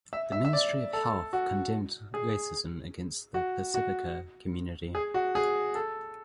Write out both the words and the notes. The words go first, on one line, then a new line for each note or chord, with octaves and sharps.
The Ministry of Health condemned racism against the Pasifika community.
E5
E5
E5
D5
A4
F#4
G#4
F#4
F#4
G#4
F#4
G#4
A4